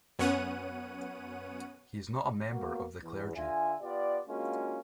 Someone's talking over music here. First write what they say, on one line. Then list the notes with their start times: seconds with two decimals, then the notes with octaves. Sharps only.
He is not a member of the clergy.
0.19 F#2 B3 C#4 C#5 F#5 D#7
2.50 A#3 B3 F#4
3.04 E2
3.36 D3 F4 E5 G#5
3.82 B3 F4 G4 D5
4.28 G#3 A#3 C#4 D4 F4 F#4